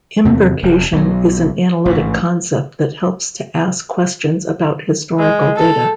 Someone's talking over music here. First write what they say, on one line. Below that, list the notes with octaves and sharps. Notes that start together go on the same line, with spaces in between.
"Imbrication" is an analytic concept that helps to ask questions about historical data.
E2 C3 E3 C4
F1 E2
B1 F#3
A1 G#2 E3
G#3
A4